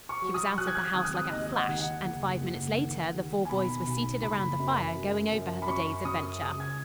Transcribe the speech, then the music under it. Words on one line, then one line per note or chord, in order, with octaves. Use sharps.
She was out of the house like a flash, and five minutes later the four boys were seated around the fire going over the day's adventure.
C#6
F#3
D#6
F#3 F#6
G#6
F#6
G#1 D#6
F#6
D#6
D#2 D#5
D#5
F#5
D#2
F#5
F#1
F#1
D#3
D#2
G#5
B2 B5
B1
F#1 B5
F#2
F#2
F#2
B5
F#2 C#6
F#2 D#6
C#2 D#6
G#6